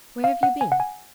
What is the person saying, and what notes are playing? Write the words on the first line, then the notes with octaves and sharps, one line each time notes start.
Where have you been?'
F5
F#5
G#5
F#5
G#5